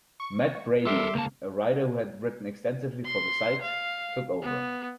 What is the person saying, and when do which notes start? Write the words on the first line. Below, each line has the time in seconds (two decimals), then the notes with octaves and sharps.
Matt Brady, a writer who had written extensively for the site, took over.
0.20 C#6
0.86 G3 A4 A#4 E5 C6 D6
1.15 C#2 A#3 A5
3.05 C6
3.62 F5
4.42 B3